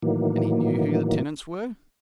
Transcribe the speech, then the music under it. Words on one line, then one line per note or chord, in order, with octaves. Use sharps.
"And he knew who the tenants were?"
A2 D#3 E3 F#3 A#3